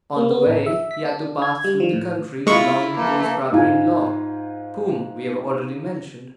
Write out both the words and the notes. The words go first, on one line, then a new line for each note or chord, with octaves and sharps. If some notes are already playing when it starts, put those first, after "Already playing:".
On the way he had to pass through the country belonging to his brother-in-law, whom we have already mentioned.
A#3
B3
A1
E5
B6
D4
G#6
G3
F3
A2
G#3 E4 F4 C#6
E3 A3 A#3
G#2 F4 G#5